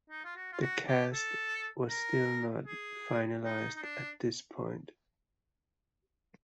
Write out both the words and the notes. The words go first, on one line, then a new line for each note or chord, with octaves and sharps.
The cast was still not finalized at this point.
D#4
F4
F#4
F4
F#4
G4
A4
A#4
G#4
D#4
D#4
D4